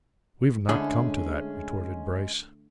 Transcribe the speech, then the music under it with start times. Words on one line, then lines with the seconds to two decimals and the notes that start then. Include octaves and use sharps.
"We've not come to that," retorted Bryce.
0.69 D3 G#3 A3 C#4 E4 G#4